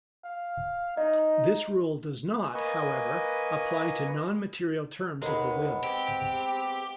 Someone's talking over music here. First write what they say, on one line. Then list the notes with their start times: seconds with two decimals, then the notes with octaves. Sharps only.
This rule does not, however, apply to non-material terms of the will.
0.24 F5
0.97 D#4 D#5
2.54 A#3 B4 D#5 G#5 C#6
5.22 D#2 G#3 B3
5.84 C4 G4